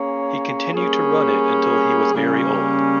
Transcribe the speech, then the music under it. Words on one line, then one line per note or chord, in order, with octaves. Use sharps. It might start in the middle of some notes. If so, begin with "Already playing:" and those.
He continued to run it until he was very old.
Already playing: A#3 C#4 G#4 C#5
G3 A#3 C#4 G#4
C#3 G3 A#3 C#4